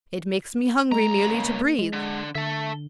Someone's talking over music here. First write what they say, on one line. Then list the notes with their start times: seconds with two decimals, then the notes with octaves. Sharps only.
It makes me hungry merely to breathe.
0.92 C#2 G#3 A#5
1.34 A#3
1.79 G#3
1.93 D3
2.35 D3 A4 E5